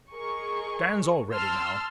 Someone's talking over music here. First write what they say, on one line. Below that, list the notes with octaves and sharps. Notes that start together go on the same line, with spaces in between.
Dan's already now.
G#4 A#4 D#5 C#6
A5 C6 E6 F6